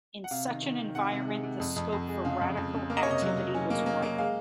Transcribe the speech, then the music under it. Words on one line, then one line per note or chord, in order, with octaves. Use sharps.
In such an environment the scope for radical activity was ripe.
F#5
C3 F5
D#3
D#3
D#3
C3 F#5
C3
G#3
C3
F2
F2
F2
G#3
C#3 F5
F2
F2
C#3
A#3 F5
D#5
C#5
C3
D#5
F#3
F#3
C#4
A#3
A#3
A#3
G#3 F5